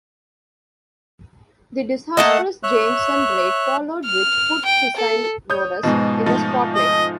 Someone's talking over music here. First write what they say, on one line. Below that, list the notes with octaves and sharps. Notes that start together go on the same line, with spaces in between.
The disastrous Jameson Raid followed which put Cecil Rhodes in the spotlight.
A3 A#3 A4 D#5 F#5
C#5 E5 F#6
F6
G5
A4
C#5 D#6 G6
G#2 B2 F3
F3 A3 D#4
D#5